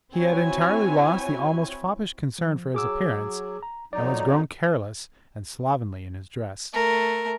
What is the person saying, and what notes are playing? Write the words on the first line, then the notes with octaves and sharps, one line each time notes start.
He had entirely lost the almost foppish concern for his appearance, and was grown careless and slovenly in his dress.
C4 E4 F#4 C#5 G#5
F3
F#3 G#4 D6 E6
A#5
F2 F#3 D#4 D5
A3 A#4